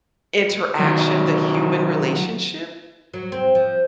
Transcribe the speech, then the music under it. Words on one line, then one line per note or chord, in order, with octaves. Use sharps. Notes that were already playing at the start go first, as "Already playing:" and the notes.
interaction, the human relationship?"
D#3 F#3
F#3
C4
F3